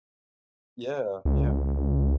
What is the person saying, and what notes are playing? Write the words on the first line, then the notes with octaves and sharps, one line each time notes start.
Yeah, yeah.
C#2